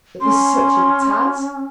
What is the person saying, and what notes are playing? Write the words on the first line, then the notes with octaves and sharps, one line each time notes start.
It was such a task!
C#4 C6